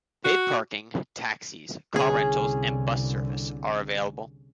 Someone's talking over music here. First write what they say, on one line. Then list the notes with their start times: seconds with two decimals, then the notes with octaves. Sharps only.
Paid parking, taxis, car rentals and bus service are available.
0.24 F#4
1.96 C2 D3 C#4 G#4